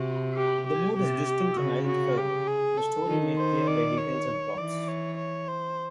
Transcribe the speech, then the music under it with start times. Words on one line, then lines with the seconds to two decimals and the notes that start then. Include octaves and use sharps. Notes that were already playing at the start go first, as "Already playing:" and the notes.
The mood is distinct and identifiable, the story made clear by details and props.
Already playing: C3 F#4
0.37 G4
0.67 G4
0.97 C3 G4
1.57 C#3 F#4
1.87 F#4
2.17 G4
2.48 G#4
2.78 A4
3.08 D#3
3.37 C5
3.68 D5
3.98 C#5
4.58 E3 D5
4.88 C#5
5.18 C#5
5.48 C5